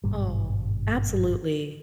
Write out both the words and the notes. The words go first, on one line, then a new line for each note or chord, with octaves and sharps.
Oh, absolutely.
G#1 G2 B2 G3